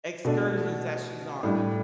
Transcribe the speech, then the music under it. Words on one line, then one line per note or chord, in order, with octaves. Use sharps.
excursions that she's on.
B2 A3 D4
A2 G3 D4